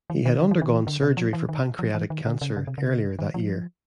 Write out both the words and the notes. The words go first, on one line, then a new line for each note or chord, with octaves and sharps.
He had undergone surgery for pancreatic cancer earlier that year.
E3
D#3
D3
E3
D#3
E3
D3
C3
F3
E3
D#3
F3
E3
D#3
D3
C#3
C#3
C3
C#3
D#3
F3